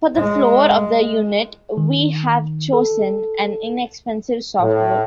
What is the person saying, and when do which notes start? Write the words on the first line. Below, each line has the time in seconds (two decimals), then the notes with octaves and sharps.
For the floor of the unit, we have chosen an inexpensive soft wood.
0.16 G#3
1.77 D#3
2.73 A4
4.61 A2